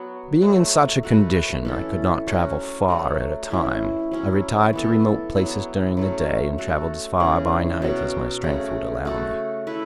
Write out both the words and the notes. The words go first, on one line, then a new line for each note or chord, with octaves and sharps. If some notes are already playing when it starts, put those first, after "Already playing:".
Being in such a condition, I could not travel far at a time; I retired to remote places during the day, and travelled as far by night as my strength would allow me.
Already playing: F#3 B3 F#4
F#3 A3 F#4
A3 F#4 B4
E3 C#4 A4
F#3 C#4 F#4
F#3 A3 F#4
E3 C#4 E4
F#3 C#4 E4
E3 B3 A4
F#3 B3 E4
F#3 A3 C#4
A3 F#4 A4
C#3 E3 C#4
B2 F#3 C#4 F#4
C#3 A3 F#4
A3 F#4 A4
A3 E4 B4